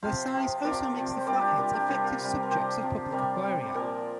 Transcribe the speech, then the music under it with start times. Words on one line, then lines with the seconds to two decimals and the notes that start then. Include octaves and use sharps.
Their size also make the flatheads effective subjects of public aquaria.
0.02 C3 F3 C5 F5
0.34 C3 F3
0.64 C3 F3 A#4 D5
0.96 C3 F3
1.18 C5
1.27 C3 G3 A#4 D5
1.42 D4 G4
1.57 C3 G3 F4 A#4
1.73 D4 G4
1.88 C3 G3 F4 A#4
2.04 F4 A#4
2.19 C3 G3
2.43 A#4
2.51 C3 F3 G4 C5
2.81 C3 F3
3.12 C3 G3 A#4 D5
3.43 C3 G3
3.74 A#2 F3 A#4 D5